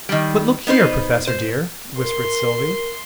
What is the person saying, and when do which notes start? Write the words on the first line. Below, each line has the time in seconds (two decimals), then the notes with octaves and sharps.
"But look here, Professor dear!" whispered Sylvie.
0.09 D#3 G3
0.67 B3 D#4 B4 C5
1.27 C5
1.99 A#4 C6